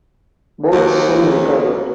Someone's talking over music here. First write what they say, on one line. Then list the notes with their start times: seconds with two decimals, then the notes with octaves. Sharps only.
Both soon recovered.
0.73 D#2